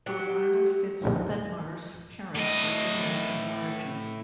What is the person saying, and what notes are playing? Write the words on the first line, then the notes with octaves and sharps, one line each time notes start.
Both Arnold Fitz Thedmar's parents were German in origin.
F#3 G4
A2 D#5